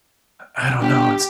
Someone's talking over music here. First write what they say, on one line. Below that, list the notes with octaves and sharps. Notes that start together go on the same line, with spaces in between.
I don't know. It's
G1 G4